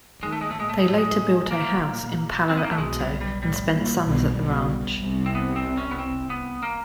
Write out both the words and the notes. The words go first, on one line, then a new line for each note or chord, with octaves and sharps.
They later built a house in Palo Alto and spent summers at the ranch.
D#2 D#3 G#3
A3
G#3
A3
A#2 G#3
A3
G#3
A2 A3
G#3
A#2 A#3
C4
B3
A#3
A3
B1 B2 G#3
G3
G3
A2 G3
A#2
B1 B2
B1 B2
C2 C3
C4
B3
C4
C#4
B3
C4
B3
A#3